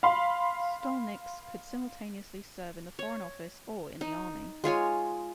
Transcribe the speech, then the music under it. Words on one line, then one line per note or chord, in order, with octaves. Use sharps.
"Stolniks" could simultaneously serve in the foreign office or in the army.
F5 B5 C6
C#5
D#4
G#3 F4 C#5 G#5